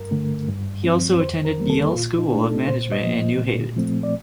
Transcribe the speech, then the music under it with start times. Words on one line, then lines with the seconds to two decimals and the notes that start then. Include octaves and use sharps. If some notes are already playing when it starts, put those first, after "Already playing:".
He also attended Yale School of Management in New Haven.
Already playing: G2 A#4
0.11 D3 A3
0.48 G2
0.84 F3 C4
1.20 F2 C5
1.45 A#4
1.58 D#3 G3 A#3
1.70 A4
1.94 A#2 F4
2.19 D#4
2.31 A3 D4
2.43 A4
2.67 A#2 C5
2.92 D#5
3.04 F3 A#3
3.41 A#2
3.76 F3 A3 C4
4.03 D5